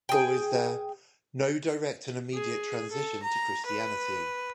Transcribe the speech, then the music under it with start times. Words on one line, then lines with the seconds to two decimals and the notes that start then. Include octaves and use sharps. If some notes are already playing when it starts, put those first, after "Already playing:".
Or is there "no direct and immediate transition to Christianity".
0.09 G#4 G5
2.33 G#4
2.91 A4
3.23 A#5
3.66 B4